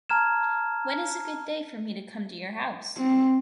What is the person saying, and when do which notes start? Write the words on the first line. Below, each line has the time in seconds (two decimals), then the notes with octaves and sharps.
When is a good day for me to come to your house?
0.10 A5 A#5 F6 G#6 E7
2.97 C4